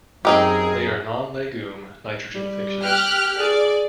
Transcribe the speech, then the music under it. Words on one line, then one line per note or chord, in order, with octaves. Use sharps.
They are non-legume nitrogen fixers.
F#2 C4 D#4 G4 G#4 A#4
G3
G4 F6 F#6
G#4 D5